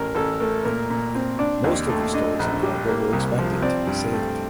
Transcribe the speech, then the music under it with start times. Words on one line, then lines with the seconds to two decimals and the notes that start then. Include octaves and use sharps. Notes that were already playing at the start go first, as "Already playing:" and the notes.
Most of her stores and cargo was expected to be saved.
Already playing: A1 A#4
0.15 A1 A4
0.39 A3 A#4
0.65 A#2 A#4
0.90 A#2
1.15 C4
1.39 D4 D5
1.64 D#2
1.89 A3
2.14 D4 D#5
2.39 A#1
2.63 G3
2.88 A#3
3.13 C2
3.39 F3
3.62 C4 D5
3.87 G2
4.13 A3